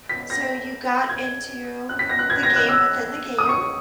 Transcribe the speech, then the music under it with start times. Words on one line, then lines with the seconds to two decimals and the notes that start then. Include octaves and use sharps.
So, you got into the game within the game.
0.09 B6
0.30 A#6
1.09 G#6
1.89 F#6
1.99 B6
2.09 A#6
2.19 F#6
2.30 G#6
2.43 A#6
2.56 F#6
2.69 E6
3.39 D#6
3.49 C#6